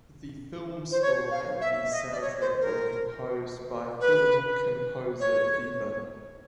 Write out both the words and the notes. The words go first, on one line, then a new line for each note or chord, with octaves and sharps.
The film score and the soundtrack were composed by film composer Deva.
C5
C#5
F5
E5
D#5
D5
C#5
C5
A#4
B4
C#5